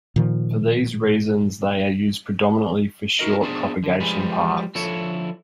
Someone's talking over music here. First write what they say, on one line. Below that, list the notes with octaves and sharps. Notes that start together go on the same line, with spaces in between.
For these reasons they are used predominantly for short propagation paths.
A#2 D#3 F3
D#4 E4 F#4 A#4 D#5
B3 D4 G#4 A4 C5 D5
D3
F3 G3 G#3 G#4 B4 B5
D3 F3 E4 A4 C#5